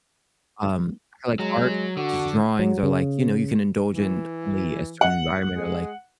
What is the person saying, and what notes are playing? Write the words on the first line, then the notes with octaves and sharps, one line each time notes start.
um, I feel like art just drawings are like, you know, you can indulge in only a certain environment, or, like,
F#3 G#3
D3 F#4
F#3
C#3
E3
F#5
G#3